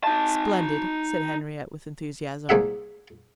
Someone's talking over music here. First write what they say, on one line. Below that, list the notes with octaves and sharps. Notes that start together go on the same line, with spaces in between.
"Splendid!" said Henriette, with enthusiasm.
D#4 A5
C2 A#3 G#4 E5 F#5